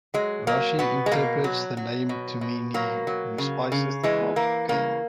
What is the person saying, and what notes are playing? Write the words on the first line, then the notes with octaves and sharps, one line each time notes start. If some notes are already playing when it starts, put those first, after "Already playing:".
Rashi interprets the name to mean he who spices the craft of Cain.
F#3 G#3
F#3 A#3
B2 B3
G#3
B2 A#3
F#3
F#3
B2
B2
F#3 A#3
F#3
C#3
C#3
E3 G#3
E3 A#3
C#3 A#3